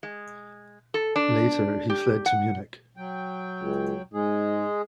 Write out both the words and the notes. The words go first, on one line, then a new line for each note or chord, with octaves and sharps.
Later, he fled to Munich.
G#3
A4
D4
G4
F#5
F#3 G5
C#2
G#2 G#3 G#4